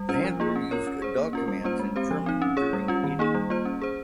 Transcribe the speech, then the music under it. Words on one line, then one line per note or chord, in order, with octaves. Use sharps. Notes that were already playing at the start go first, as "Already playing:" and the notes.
The handler used dog commands in German during the meeting.
Already playing: G3
C#4 F4 C5
F3
A#3 F4 G#4
C#4
F4 A#4 C#5
C#4
G#4 C5
A#3
C#4 F4 A#4
G3
A#3 C#4 F4 C5
G#3
C4 G4 C5
F3
C4 D#4
C#4
G#4 C#5
G3
C#4 F4
D#3
A#3 D#4 G#4
G3
A#3 F4 C5
C#4
G#4 C5